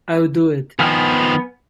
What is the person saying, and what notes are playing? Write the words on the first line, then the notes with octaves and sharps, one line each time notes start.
I'll do it.
D#3 F3 B3 G#5 F6